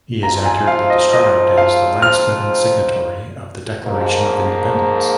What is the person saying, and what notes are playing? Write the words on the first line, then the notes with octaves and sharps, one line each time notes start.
He is accurately described as the last living signatory of the Declaration of Independence.
G#2 F3 C4 F4 A#5
G#5
F5
D#5
D#5
F5
F6
G#2 F3 A#3